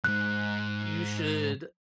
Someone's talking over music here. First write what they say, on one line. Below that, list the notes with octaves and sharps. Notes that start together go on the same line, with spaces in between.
you should
F2 G#2 F#6